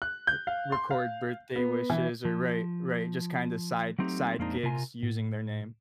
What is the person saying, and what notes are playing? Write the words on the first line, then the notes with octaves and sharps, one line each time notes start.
Re record birthday wishes or Right, right, just kinda side side gigs using their name.
F#6
G6
F5
C6
F5
B3
E3
F3
F#3 A3 C4 D#4 G4
F2 G#3 A#3 C4 D4 D#4
C3 F4 A#4 G#5
A2